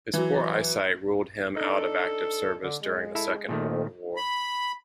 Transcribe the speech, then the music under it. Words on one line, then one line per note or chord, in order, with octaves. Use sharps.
His poor eyesight ruled him out of active service during the Second World War.
E3 F#3
D4 D#4 A4
D3
G#3
E4 A4 E5
A#2 D#3 A3
B5